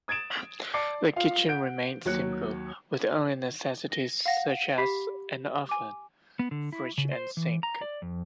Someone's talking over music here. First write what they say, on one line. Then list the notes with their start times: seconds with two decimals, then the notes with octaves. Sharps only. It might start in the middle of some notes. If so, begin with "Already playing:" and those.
The kitchen remained simple, with only necessities such as an oven, fridge, and sink.
0.08 D#6 G#6 A6 D7 E7
0.74 D5 A5 D6 C7 C#7
1.16 F4 F5
1.49 F#5 G6 D7
2.05 D#2 F#3 C#5 F#6 C#7
3.92 A#6 G7
4.26 F5 F#5 A#6
4.78 G4 B5 B6 C7
5.69 G#5 D6
6.39 B3
6.51 D3
6.72 E4
6.98 C#3
7.11 C5
7.37 E3
7.63 A#5
7.81 D5
8.02 F2